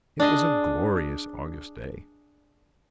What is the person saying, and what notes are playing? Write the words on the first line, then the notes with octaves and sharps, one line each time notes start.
It was a glorious August day.
D4 G#4 D#5 G#5